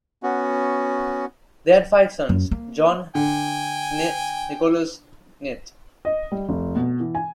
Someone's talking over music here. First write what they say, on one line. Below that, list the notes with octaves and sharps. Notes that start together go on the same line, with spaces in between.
They had five sons, John, Knt., Nicholas, Knt.
B3 C#4 F#4
F#2
A#3
D3 G5 G#5
D#5
G3
F1
B2
E3
G#5